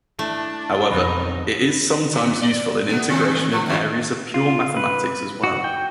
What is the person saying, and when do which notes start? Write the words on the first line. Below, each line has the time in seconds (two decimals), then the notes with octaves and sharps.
However, it is sometimes useful in integration in areas of pure mathematics as well.
0.19 A3 D4 E4
0.90 F2 B2 D#3 F#3 B3 D#4
2.13 A2
2.41 D5
2.89 A3 B3
3.09 A2 D#3 C4
3.52 F3
3.66 F#2 D#3 F3
4.34 F4
4.77 B4
5.44 F#4
5.64 G5